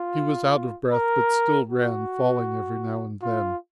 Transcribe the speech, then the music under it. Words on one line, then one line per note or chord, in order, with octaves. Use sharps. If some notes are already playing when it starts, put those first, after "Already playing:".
He was out of breath, but still ran, falling every now and then.
Already playing: F4
A#4
F#4
F4